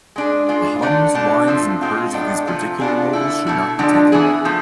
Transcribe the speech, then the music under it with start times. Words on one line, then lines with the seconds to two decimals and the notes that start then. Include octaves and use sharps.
The hums, whines and purrs of these particular 'mobiles should not be taken lightly.
0.16 G#3 D4 G#4
0.49 G#3 D4 F4
0.82 D3 A3 D4
1.14 B2 A3 D4
1.47 F3 A3 C4
1.81 B2 G#3 C4 F4
2.13 A2 G#3 B3 D4
2.47 C3 F3 A3
2.80 B2 B3 D4 F4 G#4
3.13 D3 A3 E4
3.47 B2 A3 E4
3.79 D3 F3 G#3 D4
4.12 E3 B3 E4 G#4
4.45 F3 A3 E4